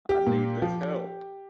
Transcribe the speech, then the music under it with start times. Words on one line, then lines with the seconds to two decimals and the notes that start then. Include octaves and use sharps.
I need this help.
0.09 G4
0.27 A#2
0.62 F3